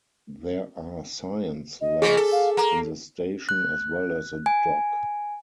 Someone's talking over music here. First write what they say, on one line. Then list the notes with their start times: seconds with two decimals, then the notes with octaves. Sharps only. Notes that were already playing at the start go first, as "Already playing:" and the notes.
There are science labs in the station, as well as a dock.
1.81 D#5
2.02 C#3 F3 G#4
2.17 A4
2.32 F5
2.57 A#3 A#5
3.49 F#6
4.46 G#5